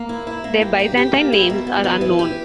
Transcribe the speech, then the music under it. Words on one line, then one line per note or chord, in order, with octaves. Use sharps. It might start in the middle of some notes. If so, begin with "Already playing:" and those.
Their Byzantine names are unknown.
Already playing: A#3
E4
E4
A#3
G4
G4
G4
A#3
E4
B2
B3
E3
E3
G4